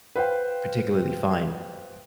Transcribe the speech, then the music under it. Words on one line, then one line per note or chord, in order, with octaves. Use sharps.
particularly fine,
B4 C5 F5 G5